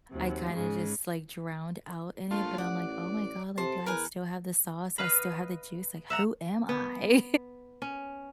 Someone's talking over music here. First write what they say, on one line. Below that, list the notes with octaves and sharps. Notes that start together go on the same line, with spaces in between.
I kinda just, like, drowned out in it, but I'm, like, "Oh my god, like, do I still have the sauce, do I still have the juice? Like, who am I?"
D#2 C3 F#3
G#2 C#3 G#3
A#1 A3 F4 C6
A1 D5 F#5
C3 A4 C5
E2 A#4 B4 G#5
B4 D#5 F5 B5
E5 F#5 A#5
B3
C#4